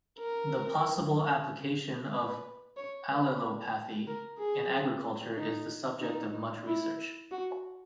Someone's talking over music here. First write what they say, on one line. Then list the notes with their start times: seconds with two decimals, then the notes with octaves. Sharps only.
The possible application of allelopathy in agriculture is the subject of much research.
0.19 A#4
2.13 B4
2.77 C#5
3.11 B4
4.07 A#4
4.39 G#4
5.37 D#4
6.02 D#4
6.33 D#4
6.67 E4
7.31 F#4